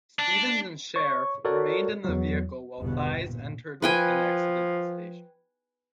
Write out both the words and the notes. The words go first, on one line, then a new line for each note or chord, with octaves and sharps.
Stephens and Scherf remained in the vehicle while Thies entered and exited the station.
D4
C#5 C#6
F#4 A4 A#4 C#5 D5
E2 F#3
G1 E2 G2 B2 B3
A#2
F3 B4 G5 G#5